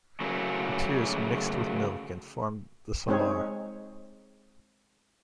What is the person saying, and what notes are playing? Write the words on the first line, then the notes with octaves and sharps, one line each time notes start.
Her tears mixed with milk and formed the Salar.
C#3 F#3 A3 A#3
G#3 C4 D#4 G#4 C#5